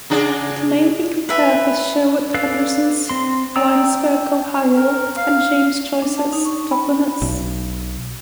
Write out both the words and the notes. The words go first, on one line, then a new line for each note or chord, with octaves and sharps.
It may be compared with Sherwood Anderson's "Winesburg, Ohio" and James Joyce's "Dubliners".
C#3 D4 G#4
B4 E5
A4 B4 D5 F5
C4 C6
D5 G5 A#5 D#6 E6
A#4
F5
D4
A5
D#4
C#6
B5
B1